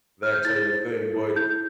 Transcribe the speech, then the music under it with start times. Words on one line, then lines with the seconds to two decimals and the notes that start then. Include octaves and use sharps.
that type of thing, but,
0.23 F6
0.34 G6
0.45 E4 A6
0.68 C5
0.91 A4
1.13 E4
1.36 E4 G6